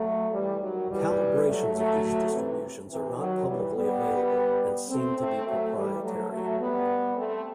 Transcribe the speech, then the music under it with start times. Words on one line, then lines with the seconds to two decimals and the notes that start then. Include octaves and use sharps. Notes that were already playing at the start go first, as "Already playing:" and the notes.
Calibrations of these distributions are not publicly available, and seem to be proprietary.
Already playing: F#3 A3
0.32 E3 G3
0.60 D#3 F#3
0.89 E3 G3
1.46 F#3 A3
1.75 F#3 A3
2.31 C3 E3
2.89 C3 E3
3.18 D#3 F#3
3.46 E3 G3
3.75 G3 B3
4.88 A3 C4
5.17 A3 C4
5.46 F#3 A3
5.74 E3 G3
6.02 F#3 A3
6.31 F#3 A3
6.59 G3 B3
7.17 A3 C4